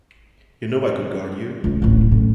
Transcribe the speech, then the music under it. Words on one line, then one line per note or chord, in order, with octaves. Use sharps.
You know I could guard you.
C#2 G#3
D1 A1
A1 A2